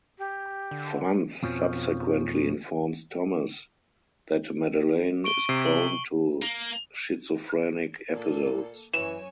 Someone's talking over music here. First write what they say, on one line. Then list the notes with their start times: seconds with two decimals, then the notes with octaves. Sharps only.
Franz subsequently informs Thomas that Madeleine is prone to schizophrenic episodes.
0.18 G4
0.71 D3
1.43 F2 B2 F3 C#4
5.24 C#6 D7 G7
5.49 C3 C7
5.66 F#7
6.42 A#3
8.14 A#2 A#3 A4
8.93 F#2 E3 C#5 G#5 E7